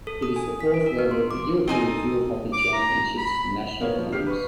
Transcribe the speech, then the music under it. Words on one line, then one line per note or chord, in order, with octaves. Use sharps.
It is the fourth level of the European field hockey Championships for national teams.
A4
D#6
G#5
B6
D7
A#4
B3
C6
D6
C4 D#4 A4 G#5 D#6
D6
A#5
B5
A#3 B3 C#5 F5
F3
D3 G4 F6 C7
B4 C#6